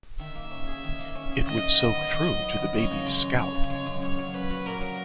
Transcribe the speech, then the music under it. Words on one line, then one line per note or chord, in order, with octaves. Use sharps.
It would soak through to the baby’s scalp.
D#3 E5
A#3
C#4
G#4
D#3
A#3
C#4
G#4
D#3 D#5
F#3
B3
D#3
D#3
F#3
B3
D#3
F#2 C#5
C#3
G#3
F#2
F#2 C#5
C#3
G#3 C#5
F#2
A#2 C#5
F#3
C#4 B4
F#4
A#2 A#4
F#3